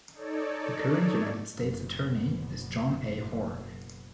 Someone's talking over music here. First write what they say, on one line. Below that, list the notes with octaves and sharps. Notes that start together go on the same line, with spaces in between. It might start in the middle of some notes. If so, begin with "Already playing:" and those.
The current United States Attorney is John A. Horn.
D#4 A4 C#5 D5
F#1 B2